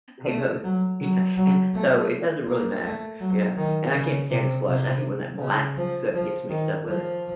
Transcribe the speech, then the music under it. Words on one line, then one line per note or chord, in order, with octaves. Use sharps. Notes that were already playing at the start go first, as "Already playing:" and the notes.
They both yeah, and, so it doesn't really matter yeah, and I can't stand slush, I hate when that black soot gets mixed up with it.
A3
F#3
F#3
F#3
A3
A#3
A3
F#3
D#3
C#3
C3
C3
C#3
F3
F3
D#3
F3